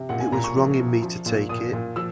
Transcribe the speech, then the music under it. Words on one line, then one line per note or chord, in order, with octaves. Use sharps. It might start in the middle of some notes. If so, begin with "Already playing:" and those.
It was wrong in me to take it?
Already playing: C3
A#2 F#5
G#5
A#2 A#5
C#6
F3
F3
F3
A#2
A#2 D#6
A#2
F3 E6